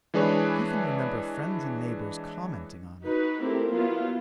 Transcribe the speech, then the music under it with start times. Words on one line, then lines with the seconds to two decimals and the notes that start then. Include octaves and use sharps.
He can remember friends and neighbors commenting on it.
0.14 E3 G#3 D4 G#4 B4 C#5
3.03 D#4 F#4 B4
3.40 A3 C4 E4 G4 A#4
3.70 F#3 B3 E4 F4